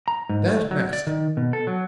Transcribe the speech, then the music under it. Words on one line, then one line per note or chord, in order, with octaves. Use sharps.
That mask!
A#5
G#2
A3
F#3
D5
D#3
B2
A4
F#3